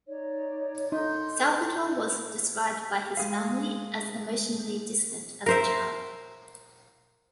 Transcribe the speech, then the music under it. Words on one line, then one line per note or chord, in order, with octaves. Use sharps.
Salvatore was described by his family as emotionally distant as a child.
D#4 C#5 D5
D#4 A4 C6 G6
G#3 G#4 F5
A#4 C5 E5